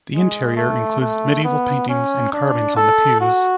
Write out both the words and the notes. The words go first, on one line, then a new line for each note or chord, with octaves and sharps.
The interior includes medieval paintings and carvings on the pews.
G#3
A3
A3
B3
C#4
D4
A4
F#4